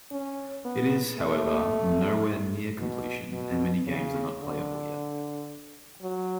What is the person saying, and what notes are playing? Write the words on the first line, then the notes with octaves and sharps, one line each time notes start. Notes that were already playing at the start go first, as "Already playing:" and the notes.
It is, however, nowhere near completion and many games are not playable yet.
C#4
B3
A3
B2
B2
C#3
D3
F#3